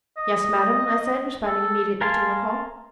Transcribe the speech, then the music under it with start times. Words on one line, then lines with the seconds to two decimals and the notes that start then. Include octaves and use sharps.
"Yes, madam," I said, responding immediately to her call.
0.17 D#5
1.46 A4
2.01 A#4 F5 G#5 A5 C6